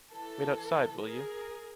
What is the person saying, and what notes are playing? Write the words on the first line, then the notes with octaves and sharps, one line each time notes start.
Wait outside, will you.
E3 A4
G#4 A#4